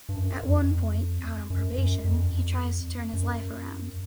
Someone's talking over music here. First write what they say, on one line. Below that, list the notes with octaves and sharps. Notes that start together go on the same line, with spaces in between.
At one point, out on probation, he tries to turn his life around.
G2
F#2
F2
F#2
F#2
F2
F#2